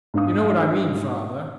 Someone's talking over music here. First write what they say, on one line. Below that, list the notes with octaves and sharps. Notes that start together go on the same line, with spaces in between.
'You know what I mean, father.'
G#2 D4 F5 D#6